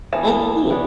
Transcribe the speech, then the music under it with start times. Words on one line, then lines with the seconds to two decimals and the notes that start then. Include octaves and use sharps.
Oh, cool.
0.13 E3 B3 A5
0.70 E3 B3 D4